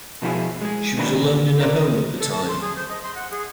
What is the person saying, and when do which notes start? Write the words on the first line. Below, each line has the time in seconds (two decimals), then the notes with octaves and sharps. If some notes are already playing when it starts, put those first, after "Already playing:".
She was alone in her home at the time.
0.22 B2 F3 E4 G#4
0.61 G#3 G#4
0.97 A#2 D#3 D4 B4 A#5
1.61 A#4 D5
2.19 A4
2.31 A5
2.48 C6
2.62 G#4
2.76 C5
2.89 D#5
3.03 C6
3.15 F#5
3.31 G#4